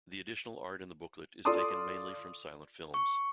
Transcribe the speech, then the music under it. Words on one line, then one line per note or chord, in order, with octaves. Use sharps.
The additional art in the booklet is taken mainly from silent films.
F4 A4 D5 C6 D6 D#6
C#6